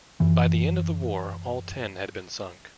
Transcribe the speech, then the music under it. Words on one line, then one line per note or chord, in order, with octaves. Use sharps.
By the end of the war all ten had been sunk.
F#2 E3